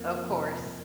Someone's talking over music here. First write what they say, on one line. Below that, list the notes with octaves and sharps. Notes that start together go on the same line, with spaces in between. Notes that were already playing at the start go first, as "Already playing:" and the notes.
Of course.
Already playing: F2 A#3
C3